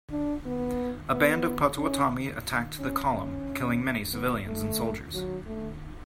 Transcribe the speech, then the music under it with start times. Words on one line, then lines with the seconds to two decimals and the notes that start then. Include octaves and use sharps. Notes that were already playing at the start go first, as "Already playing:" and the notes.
A band of Potawatomi attacked the column, killing many civilians and soldiers.
0.11 D4
0.46 B3
1.12 B3
1.78 C#4
2.79 C#4
3.12 C#4
4.13 B3
4.46 A3
5.14 F#3
5.46 A3